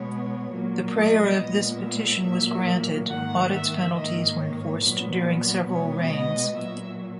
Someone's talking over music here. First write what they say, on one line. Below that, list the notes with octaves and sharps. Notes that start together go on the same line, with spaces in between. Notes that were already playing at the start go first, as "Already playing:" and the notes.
The prayer of this petition was granted, audits penalties were enforced during several reigns.
Already playing: B2 G#3 B3 C#5
A#2 F#3 A#3
D#5
A#2 G#3 B3
E5
A#2 F#3 A#3
G#2 D#3 A#3 F#5
E5
G#2 D#3 A#3 D#5
C#5
A#2 F#3 B3
B2 G#3 B3 C#5
D#5
A#2 F#3 E5